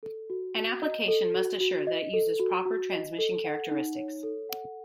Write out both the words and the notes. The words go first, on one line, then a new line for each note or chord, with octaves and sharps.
An application must assure that it uses proper transmission characteristics.
A4
F#4
F#4
D#5
A4
F#4
F#4
D#5
A4
F#4
F#4
D#5
A4
F#5
D#4
C#5
A4
F#5